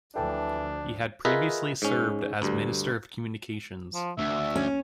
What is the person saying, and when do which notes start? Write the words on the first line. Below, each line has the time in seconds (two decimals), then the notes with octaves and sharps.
He had previously served as Minister of Communications.
0.15 D2 E3 F3 D4 A4 G5 A5
1.25 F4 G#4 A#4 B4 D#5 E5
1.82 G#2 C#4
2.42 D2 G2
3.94 F3
4.18 D2 E5
4.55 C#4